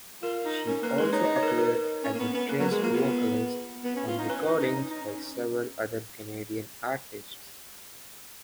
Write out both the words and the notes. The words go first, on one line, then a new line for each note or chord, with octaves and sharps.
She also appeared as a guest vocalist on recordings by several other Canadian artists.
F4 A#4
D#4
C#4 A#4
A#3 B4
G#3 B4
D#4 C#5
D#5
C#5
A#4
B4
A#4
C#4
A#3
B3
B3
A#3 B4
F#3 A#4
G#3 G#4
A#3 F4
B3 G#4
B3
C#4
F4
D#4
C#4 B4
D#4
D#4
C#4
D#4
C#4